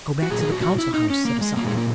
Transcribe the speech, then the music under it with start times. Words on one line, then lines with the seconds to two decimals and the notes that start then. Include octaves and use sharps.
"Go back to the Council House," said Asano.
0.22 F#4
0.30 A#2 F#3 G#4
0.41 G#4
0.52 F#4
0.62 F#4
0.78 E4
0.94 D#4
1.10 C#4
1.25 A#3
1.41 G#3
1.57 A#2 F#3 A#3
1.67 G#3
1.77 A#3